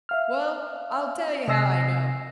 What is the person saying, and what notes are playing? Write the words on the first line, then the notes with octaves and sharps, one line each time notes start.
Well I'll tell you how I know!
E5 F5 F6
C3 D#5 G#5 E6 A#6 C7